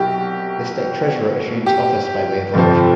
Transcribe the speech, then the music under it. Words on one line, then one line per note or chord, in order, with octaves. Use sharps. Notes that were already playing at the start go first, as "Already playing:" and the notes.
The state treasurer assumes office by way of election.
Already playing: C2 B2 F#3 G4
G4
G1 F2 C3 F3